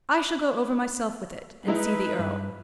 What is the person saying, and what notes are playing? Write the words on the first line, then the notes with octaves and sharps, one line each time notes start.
I shall go over myself with it, and see the earl.
G#3 D#4 E4 B4
G2